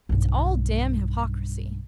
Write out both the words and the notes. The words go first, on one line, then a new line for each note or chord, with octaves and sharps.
It's all damned hypocrisy.
B1 G2